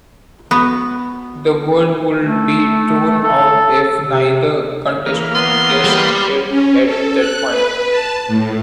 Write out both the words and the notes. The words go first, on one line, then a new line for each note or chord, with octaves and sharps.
The word would be thrown out if neither contestant guessed it at that point.
B3 F#4
A3
A4
C3
E3 A#3 F6
B3 C6
G3
C#4
A4
F#6
B4
A5
A2